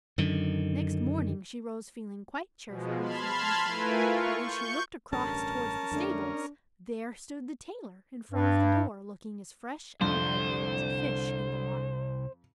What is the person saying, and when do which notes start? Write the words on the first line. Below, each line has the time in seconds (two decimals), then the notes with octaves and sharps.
Next morning she rose feeling quite cheerful and free from care, but when she looked across towards the stables, there stood the tailor in front of the door looking as fresh and lively as a fish in the water.
0.18 F#2 D3 D#3
2.67 B2 F3 G#3
3.00 A5 B5 C6 F6 G#6
3.65 A3 E4 F4 A#4 B4 G#5
4.05 F4 C#6
4.37 C#6 G6
5.13 A1 G2 D3 C#4 A#4 A5
5.92 F2 D3 A3 D4
8.31 G2
10.01 C2 F2 D3 C5